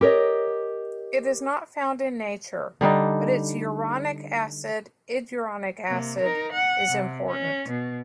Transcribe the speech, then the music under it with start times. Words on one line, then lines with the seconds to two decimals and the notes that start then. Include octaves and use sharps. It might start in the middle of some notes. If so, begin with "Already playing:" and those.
It is not found in nature, but its uronic acid, iduronic acid, is important.
0.01 G4 A#4 C#5 D#5
2.81 D3 G3 D4 D#4
5.89 C3 A#3
6.22 D#4 A#4
6.53 F#5
6.89 C3
7.30 C#4
7.69 B2